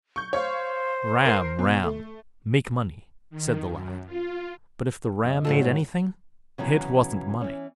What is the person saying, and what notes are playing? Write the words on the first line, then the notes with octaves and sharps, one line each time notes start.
'Ram, ram! make money!' said the lad; but if the Ram made anything, it wasn't money.
C#6 G6
C5 C#5 F5 C#6
A#4 C7
B2
A3
D#3
F#2
F4
F#2 C3 D#5
F2 A2 F#3 F4 A4
G#2
C#3 E3 F#3 B3
E3 C#4